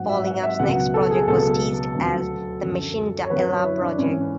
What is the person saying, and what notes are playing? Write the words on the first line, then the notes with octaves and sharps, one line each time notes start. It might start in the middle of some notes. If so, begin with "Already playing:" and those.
Falling Up's next project was teased as "The Machine De Ella" project.
Already playing: G#2 F#3 F#5
E5
F#5
E5
C#2 B2 F#3 F#5
A4
G#4
C#2 B2 F#3 A4
D2 D3 F#3
F#2 D3 F#3
C#5
F#2 D3 F#3 B4
C#5
E4
D4
G#2 E3 C#4